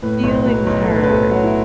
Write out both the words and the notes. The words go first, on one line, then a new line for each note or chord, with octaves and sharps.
feelings hurt.
A2 B4
B1
F#3 B4
B1
A4
A2 B4
B4
B1 A4
F#3 F#4
E4